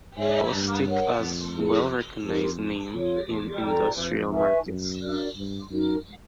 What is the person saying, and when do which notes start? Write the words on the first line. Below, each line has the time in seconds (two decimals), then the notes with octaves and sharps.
Bostik has well recognized name in industrial markets.
0.16 G#2 G#4 C#5 E5 G#5
0.51 G2
0.86 A#4 C#5 F#5
1.20 F2
1.55 E4 G#4 B4
2.24 F2 D#4 G4 A#4
2.93 F2 F4 A4 C#5
3.28 E2
3.63 F2 A4 D5 G5 A#5
3.97 F2
4.32 B4 E5 G#5 C#6
4.66 F#2
5.01 D4 F#4 A#4 D5
5.36 G2
5.70 F#2 D#4 F#4 A#4